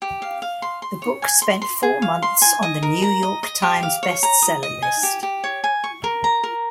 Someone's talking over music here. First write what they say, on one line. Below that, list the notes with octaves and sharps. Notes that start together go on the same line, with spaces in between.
The book spent four months on the "New York Times" Best Seller List.
G4
F5
F5
C6
C6
C#5
G#5
C6
C6
G#4
F5
C6
G#5
D#5
A#4
A#5
D#5
D#5
G4
F5
C#5
A#5
D#6
D#5
G#5
G4
G4
C#5
G#5
C#6
A#4
A#5
A#4